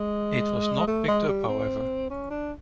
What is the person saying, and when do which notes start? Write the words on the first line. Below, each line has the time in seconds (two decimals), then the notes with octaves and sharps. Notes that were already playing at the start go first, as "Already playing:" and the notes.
It was not picked up, however.
Already playing: G#3
0.87 A3
1.08 G#3
1.28 G3
1.48 C4
2.10 C#4
2.30 D4